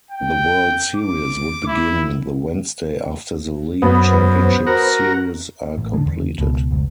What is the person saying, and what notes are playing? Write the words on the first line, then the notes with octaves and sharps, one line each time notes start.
The World Series would begin the Wednesday after the League Championship Series are completed.
G5
D6
E4
F#2 B3 C5
F#4 A#4
A1
D3 G#3
E2
C#2 B2
F1 C#2